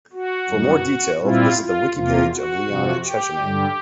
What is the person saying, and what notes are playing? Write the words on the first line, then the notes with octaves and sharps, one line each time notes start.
For more detail, visit the wikipage of Leon Chechemain.
F#4
F#2 D#3 G3
A#2 G3 C4 E4 F4
F4
E2 C3 F3 A#3 F4
F#4
F2 C3 F3
G4
G2 D3 G3